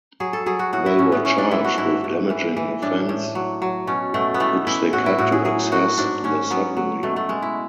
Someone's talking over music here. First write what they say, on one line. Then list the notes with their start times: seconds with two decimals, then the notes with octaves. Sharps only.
They were charged with damaging a fence which they cut to access the submarine.
0.20 F#3 G#4
0.33 A4
0.46 F#3 G#4
0.59 F#4
0.73 A2 F#4
0.86 E4
0.99 A2 C#4
1.12 B3
1.25 E3 C#4
1.38 D4
1.51 E3 E4
1.65 F#4
1.77 G#2 E4
2.04 G#2
2.30 E3
2.57 E3
2.82 A2 D4
3.09 A2
3.35 F#3
3.62 F#3
3.87 B2 C#4
4.14 B2 A3
4.34 B3
4.40 E3 A3
4.67 E3 E4
4.93 A2 F#4
5.06 E4
5.18 A2 F#4
5.32 G#4
5.45 F#3 G#4
5.72 F#3 F#4
5.98 G#2 D4
6.24 G#2 C#4
6.51 F#3 B3
6.77 F#3
7.03 B2 A3
7.16 A3
7.29 B2 G#3
7.42 E4